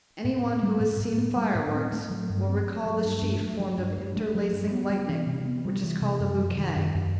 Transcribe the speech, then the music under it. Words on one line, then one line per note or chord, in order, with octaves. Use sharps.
Any one who has seen fireworks will recall the sheaf formed of interlacing lightnings which is called a bouquet.
A2
B3
G3
A2
A2
B3
G3
A2
C4
A3
F#3
G2
C4
A3
F#3
G2
G2
A3
F#3
G2
G2
A3
F#3
G2
B3
G3
E3
C3
B3
G3
E3
C3
F#2
F#3
D#3
F#2
F#2